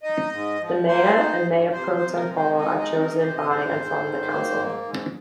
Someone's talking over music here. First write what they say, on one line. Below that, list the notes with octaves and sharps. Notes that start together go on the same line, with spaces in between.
The mayor and mayor pro tempore are chosen by and from the council.
D#4 D#5
G#2
F3
A#3 C5
D#4
G#2
C3 C5
C5
C3
A#4
G#3
C5
D#4 D#5
D#5
C3
A#4
C3
C5
D#5
G#2
C5
G#2
D#3
A#3
G#2
G#2